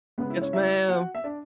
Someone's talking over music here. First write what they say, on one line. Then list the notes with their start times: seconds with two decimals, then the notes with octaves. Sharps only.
Yes, ma'am.
0.18 C#3 G#3 B3 B4
0.30 E4
0.42 C#4 C#5
0.53 E4 E5
0.88 F#4 F#5
1.15 E5
1.24 D4 D5